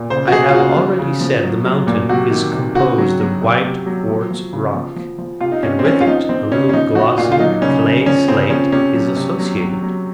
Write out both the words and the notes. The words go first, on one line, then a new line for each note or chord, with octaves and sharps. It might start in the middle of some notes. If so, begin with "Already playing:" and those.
I have already said the mountain is composed of white quartz rock, and with it a little glossy clay-slate is associated.
Already playing: A#2
C#3 C5
F#4
F3 G#4
F4
C#3 F#4
F3
C#3
F3
F#3
F#3
A#2
C3 F#4
D#3
C3
C#3 F#4
F#3
F#3
C3
C3
F#3
F3
F3
C#3
F3
F3
F3
C3 F4
D#4
C3 C#4
C4
F3 C#4
F4
F3 D#4
F3 C4
C#3 C#4
C#4
F3 D#4
F3 F#4
A#2 F4
F4
F#3 D#4
C#3 C#4
C#3
F3 C#4
C#3 C4
F3 C#4
C3 C#4
F#3
C3
F#3
F#3
F#3